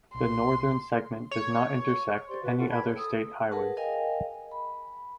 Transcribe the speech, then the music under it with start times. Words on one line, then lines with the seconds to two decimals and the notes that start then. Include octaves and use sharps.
The northern segment does not intersect any other state highways.
0.15 B1 C6
1.31 C#5
2.28 G4 C5 D5 C6
2.41 F#4 B4
2.57 E4 F4 A4 F#5
2.68 G5 A5 B5 G#6
2.83 G#4 C#5
2.97 A4 D#6 E6
3.52 G#4 A#4 B4 F#5 A5
3.77 A#4 D#5 F5 G5 G#5
4.51 B5